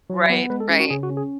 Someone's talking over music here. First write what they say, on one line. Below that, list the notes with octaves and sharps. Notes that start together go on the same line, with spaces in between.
Right, right.
F#3
B3
G#3 B4
A4
C#4 G#4
F#4
C#3 G#4
F#4
C#4
G#4